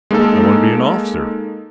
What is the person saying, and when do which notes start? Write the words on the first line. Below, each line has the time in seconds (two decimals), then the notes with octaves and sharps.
I want to be an officer.
0.11 G#3 A#3 D#4 A4